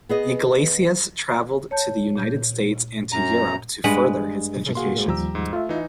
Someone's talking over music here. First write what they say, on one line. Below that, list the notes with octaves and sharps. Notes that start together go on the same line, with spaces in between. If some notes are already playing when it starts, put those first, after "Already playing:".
Yglesias traveled to the United States and to Europe to further his education.
B3 G#4 D#5
C#5 A5 G6
A#2 G6
F#2 A#5
G2 G#3 B4 F#5
A#3 F#4 G#4 F5 C6
D#2 F3 G3 G4 A#5 E6
G#2
A3 F4 E5
E3 D#4